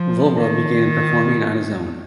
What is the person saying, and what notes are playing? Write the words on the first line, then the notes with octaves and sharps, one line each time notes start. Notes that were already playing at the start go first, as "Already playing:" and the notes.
Vova began performing on his own.
Already playing: F3
D#3